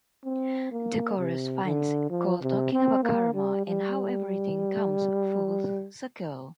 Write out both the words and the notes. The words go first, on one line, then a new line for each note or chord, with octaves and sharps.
The chorus finds Cole talking about karma and how "everything comes full circle".
C4
A#3
C3
D3
F3
C3
C4
A#3
G3
G3